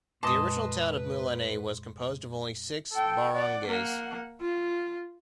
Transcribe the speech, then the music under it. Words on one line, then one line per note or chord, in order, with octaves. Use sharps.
The original town of Mulanay was composed of only six barangays.
F2 A#2 G#3 B4 C5 D#5 A5 D#6
A4 G5
D5 F#5
A#3 F#5
F4